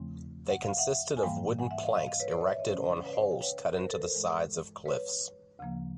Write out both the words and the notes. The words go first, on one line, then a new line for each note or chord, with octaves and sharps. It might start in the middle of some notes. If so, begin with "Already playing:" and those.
They consisted of wooden planks erected on holes cut into the sides of cliffs.
Already playing: E2 C#3 F3 A3 C4
F#5
F5
E5 F#5
G#5
G#2 E3 G3 A#3 F5 G5
F#5 G#5
E5 F#5
D#5 F5
D#5 F5
D#5 F5
B4 C#5
C5 D5
C#5 D#5
D5 E5
C#5 D#5
C#3 E3 G#3 C#4 C5 D5
C5 D5
B4 C#5
C5 D5
F#5 G#5
F5 G5
B4 C#5
A#4 C5
A4 B4
A#4 C5
G2 E3 G#3
B4 C#5
D2 C#3 F3 A#3